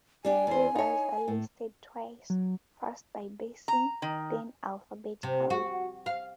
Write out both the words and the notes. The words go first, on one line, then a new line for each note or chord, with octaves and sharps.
Rivers are listed twice, first by basin, then alphabetically.
G3 D4 G4 G#5
E2 C5
D#4 C#5
A2
F#3
A#5
D#3
C3
F#4
F5